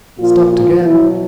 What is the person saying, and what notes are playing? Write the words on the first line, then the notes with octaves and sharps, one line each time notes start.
Stopped again.
A#2 F3 F4
F4
B2 F#3 E4